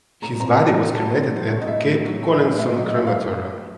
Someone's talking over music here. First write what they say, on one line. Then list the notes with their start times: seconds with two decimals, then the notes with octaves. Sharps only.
His body was cremated at Cape Collinson Crematorium.
0.22 A2 A#5
0.40 C4 A#5
0.59 F#3 A5
0.77 A3
0.95 A2 A5
1.14 C4
1.32 F#3
1.50 A3
1.61 D#5
1.67 A2 E5
1.86 A2
2.04 F#3
2.22 A3
2.40 A2 E5
2.58 A2 E5
2.77 F#3 D#5
2.95 A3 E5
3.07 F5